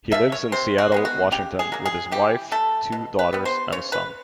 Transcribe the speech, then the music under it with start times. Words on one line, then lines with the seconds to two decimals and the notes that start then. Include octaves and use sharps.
He lives in Seattle, Washington, with his wife, two daughters and son.
0.11 F3 A#3 E5
0.32 C#5
0.52 C3 C5
0.78 F#4
0.92 D#3 G#3 B3
1.05 F#4
1.32 C#3 G4
1.59 G#4
1.72 F#3 A#3
1.86 G#4
2.12 E3 G4
2.52 A3 A4
2.92 B2
3.19 B4
3.33 G3 B3
3.45 C5
3.72 C#3 C#5
3.92 B4